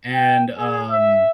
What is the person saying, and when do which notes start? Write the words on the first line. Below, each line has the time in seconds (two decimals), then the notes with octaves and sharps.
and, um,
0.12 G5
0.59 G#4
0.90 E5